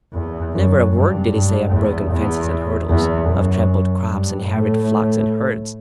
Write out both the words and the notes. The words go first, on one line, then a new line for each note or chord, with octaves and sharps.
Never a word did he say of broken fences and hurdles, of trampled crops and harried flocks and herds.
E2
F#2
G2
G2
E2
E2
E2
F#2
G2
A2